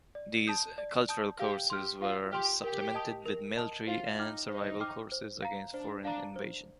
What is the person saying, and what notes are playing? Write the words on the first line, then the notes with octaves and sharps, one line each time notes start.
These cultural courses were supplemented with military and survival courses against foreign invasion.
D5
A5 D#6 G6
D5
A5 D#6 G6
G4 F5
G4 C6 F6
F4 F5
G4 C6 F6
G4 A#4
D#5 A5 D#6
A#4
D#5 A5 D#6
F4 C5
D#4 G5 D6 F6
D#4 C5
G5 D6 F6
C5
F5 A#5
D4 C5
D4 F5 A#5
C5